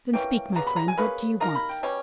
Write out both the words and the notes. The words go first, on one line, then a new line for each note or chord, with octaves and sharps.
"Then speak, my friend; what do you want?"
E3 A#3 C#4 G5
C#3 G3 B3 A#5
B5
A#5
G#5
A#3 C#4 G#4 B4 B5
A#3 D#4 A#4 A#5
B5
G5
B2 G3 C#4